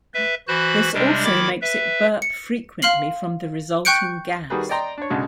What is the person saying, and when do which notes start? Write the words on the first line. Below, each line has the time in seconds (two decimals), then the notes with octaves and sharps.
This also makes it burp frequently from the resulting gas.
0.14 B4 E5
0.48 E3 F#4 C5 B5 F#6
0.94 C3 G3 G#3 D4
1.24 D#3 E4 B5 D6 A6
1.62 B4 E5
2.22 C#7
2.82 F5 C6 F6 C7 F#7
3.85 G5 C#6 F#6 G6 C#7 D7
4.50 D#3 G3 F#4 G#4 A#4 B4
4.69 D5 D#5 G5 A#5 C6
4.98 D4 C#5
5.10 B1 C#3 G#3 D4 F#4